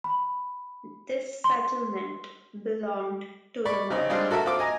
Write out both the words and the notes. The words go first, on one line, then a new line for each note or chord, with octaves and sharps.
This settlement belonged to the Mark.
B5
C6
D5 B5 C#6
C#3 C4 D#4
G3 G#3 C4 D4 F4 G#4
F#4 A4 A#4 E5
C4 F4 A4 D6
D#5 G#5 A#5